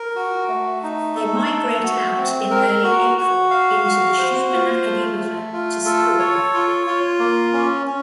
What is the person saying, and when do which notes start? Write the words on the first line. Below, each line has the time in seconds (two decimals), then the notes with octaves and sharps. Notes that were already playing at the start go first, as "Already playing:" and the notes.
They migrate out in early April into the Shubenacadie River to spawn.
Already playing: A#4
0.16 F#4
0.49 A3
0.83 D#4
1.16 A4
1.50 A3
1.83 F#4
2.17 C4
2.51 A#4
2.84 F#4
3.18 F#4
3.50 F5
3.84 F#4
4.18 C5
4.52 F4
4.85 A3
5.19 A3
5.53 F4
5.86 A4
6.19 C#5
6.54 F4
6.87 F4
7.20 A#3
7.53 C#4
7.87 C#4